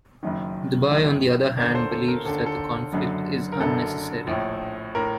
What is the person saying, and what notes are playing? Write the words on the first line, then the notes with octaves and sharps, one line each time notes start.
Dubai, on the other hand, believes that the conflict is unnecessary.
F#1 F#2 D#3
F#1 F#2 D#3
D#2 D3 A#4 D5
A4 C5
A4
A#4
D#2 D3 A4
A4
F#1 F#2 D3
A#4
F#1 F#2 D3 A4
A#1 A2
A2 A#4